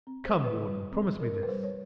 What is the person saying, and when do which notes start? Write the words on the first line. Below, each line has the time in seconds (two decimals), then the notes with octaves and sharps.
Come, warden, promise me this.
0.07 C4
0.25 C5
0.35 C4
0.44 B4
0.63 G3
0.92 C4
1.20 C4 A#4
1.34 A#4
1.43 B4
1.48 G3 C5
1.63 C#5